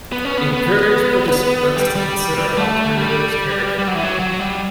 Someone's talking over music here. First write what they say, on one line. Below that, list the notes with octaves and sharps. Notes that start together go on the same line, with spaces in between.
Encourage participants to consider alternatives carefully.
B3
C#4
B3
B3
G3
G3
A3
G3
G3
F#3
E3
F#3
F#3
G3